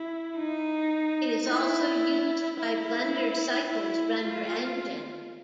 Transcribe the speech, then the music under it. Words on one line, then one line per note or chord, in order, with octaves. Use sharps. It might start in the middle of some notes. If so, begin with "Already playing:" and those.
It is also used by Blender's Cycles render engine.
Already playing: E4
D#4
E4
E4
E4
F4